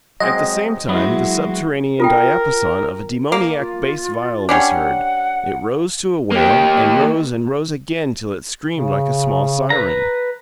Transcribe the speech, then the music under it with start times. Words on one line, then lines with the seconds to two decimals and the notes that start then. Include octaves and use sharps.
At the same time the subterranean diapason of a demoniac bass viol was heard; it rose to a wail, and rose and rose again till it screamed like a small siren.
0.20 F#3 G#3 C4 D#5
0.89 F#3 G#3 B3 E4 F#4
2.00 F4 A4 A#4 G5
3.32 A#3
3.58 F4
4.49 G3 C#4 D4 F#5
6.32 A#3 G4
8.76 C#3
9.70 B4 A#5